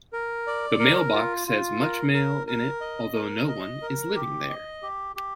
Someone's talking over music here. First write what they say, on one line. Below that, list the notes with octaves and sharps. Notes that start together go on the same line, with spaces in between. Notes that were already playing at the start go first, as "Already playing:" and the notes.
The mailbox has much mail in it although no one is living there.
A#4
D5
A#4
F4
F4
A#4
A#4
A#4
D#5
A#4
D#5
A#4
G4
D#5
G4
G4